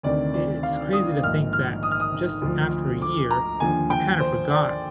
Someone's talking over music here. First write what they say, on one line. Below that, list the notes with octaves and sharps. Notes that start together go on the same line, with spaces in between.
it it's crazy to think that just after a year, you kind of forgot
D2 C3 D#3 D5
D5
F5
D#6
A#1 G#2 D#3 F6
F6
D#6
F6
D#6
D2 D3 F3
D6
A#5
D#2 D3 F3 G#5
G5
C5
D5